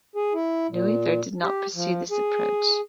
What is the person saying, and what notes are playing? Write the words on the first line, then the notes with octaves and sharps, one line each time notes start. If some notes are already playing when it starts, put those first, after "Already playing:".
Noether did not pursue this approach.
G#4
E4
A#2
G4
F3
G#4